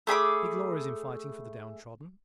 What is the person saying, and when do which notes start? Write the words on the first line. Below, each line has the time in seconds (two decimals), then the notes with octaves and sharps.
He glories in fighting for the downtrodden.
0.07 A3 G#4 B5 D6